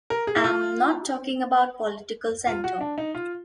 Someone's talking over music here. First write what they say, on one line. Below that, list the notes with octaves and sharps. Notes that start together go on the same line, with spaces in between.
I'm not talking about political center.
A#4
G#4
E4
F4
F4
F#4
D4
D#4
F4